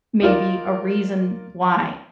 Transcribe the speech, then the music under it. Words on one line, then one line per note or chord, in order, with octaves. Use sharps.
maybe a reason why,
D#4 F4 A#4 D5